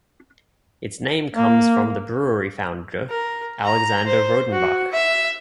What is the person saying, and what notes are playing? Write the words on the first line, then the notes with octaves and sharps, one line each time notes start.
Its name comes from the brewery founder, Alexandre Rodenbach.
A#3
A#4
A#5
C5
F#4
E5